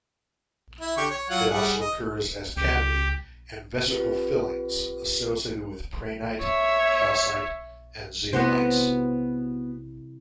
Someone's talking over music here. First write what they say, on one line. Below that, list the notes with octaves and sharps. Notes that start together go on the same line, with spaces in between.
It also occurs as cavity and vesicle fillings associated with prehnite, calcite, and zeolites.
E4
D3 G4 C#6
C#5
F#3 F4 F#5
G3 G#4 F#5
D#5
C#2 G4
C4 F4 G4 B4
C#5 E5
C3 B3 E4 F#4 C5